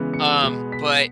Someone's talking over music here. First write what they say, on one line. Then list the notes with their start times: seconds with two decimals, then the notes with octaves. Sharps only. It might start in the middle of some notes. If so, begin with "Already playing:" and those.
um, but,
Already playing: C#3 E3 G#3 B3
0.14 C#7
0.42 B2 G#3 B3
0.72 B6